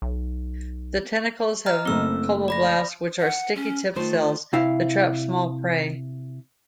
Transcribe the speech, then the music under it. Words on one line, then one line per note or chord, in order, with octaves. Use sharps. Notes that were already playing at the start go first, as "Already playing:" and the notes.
The tentacles have colloblasts, which are sticky-tipped cells that trap small prey.
B1
D#5 A#5 F6
F#1 A3 C4 E6 G7
D5 B5 A#6
F#5
C#4
D#3 A3 F4 C5
C3 E4 F5